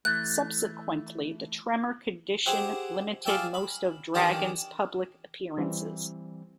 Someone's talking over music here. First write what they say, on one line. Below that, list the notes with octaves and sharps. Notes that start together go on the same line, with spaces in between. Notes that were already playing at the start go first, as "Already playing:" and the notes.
Subsequently, the tremor condition limited most of Dragon's public appearances.
E3 A3 F#6
G4 G#4 C5 E5 F#5 G5
F4 G#4 D5 E5 G5
B5
D#3 E3 D4 G4 D5 D#6
E3 G3 C4